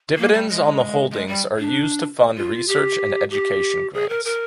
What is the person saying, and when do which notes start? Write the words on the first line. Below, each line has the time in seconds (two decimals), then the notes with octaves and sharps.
Dividends on the holdings are used to fund research and education grants.
0.17 A#3
0.33 G3
0.49 G#3
1.11 G#3
1.27 G3
1.58 D4
2.36 F4
2.68 G4
3.30 G4
3.93 G#4
4.09 A#4
4.24 A#4